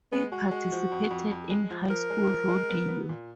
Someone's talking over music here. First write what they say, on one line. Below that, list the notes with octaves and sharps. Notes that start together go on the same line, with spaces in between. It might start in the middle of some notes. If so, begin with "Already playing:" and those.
He participated in high school rodeo.
G#3 B3
G#3 F#4
G#3
F3
F2
F2
F2
G#3
F3
F3 A#4
G#3
F3
G#3
B3
B3
A#2